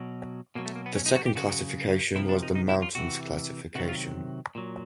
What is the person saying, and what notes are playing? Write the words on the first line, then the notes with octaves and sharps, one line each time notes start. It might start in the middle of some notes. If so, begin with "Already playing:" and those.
The second classification was the mountains classification.
Already playing: B2 F#3
B2 F#3 A#3
A3
A#3
B3
C#4
D#4
F#4
G4
C#3 F#3 F#4
C3 F3 E4
D4
D#4
D#4
E4
F4
C3 E3 F#4
C3 D#3 F#3 F#4
F4
A#2 F#3